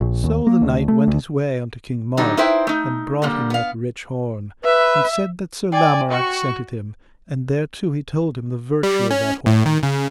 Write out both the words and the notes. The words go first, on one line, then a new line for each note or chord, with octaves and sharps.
So the knight went his way unto King Mark, and brought him that rich horn, and said that Sir Lamorak sent it him, and thereto he told him the virtue of that horn.
A#1
D#2
A#3
D2
A3
D2
D3 F#3 G3 D#4
D#4 E4 B4 C5 E5 G5
A3 D#4
D3 G3 A#3
B3 F5
B4 E5
D5 G5 G#5
F#4 C#6
G3
C#4
A2
D#3
C#3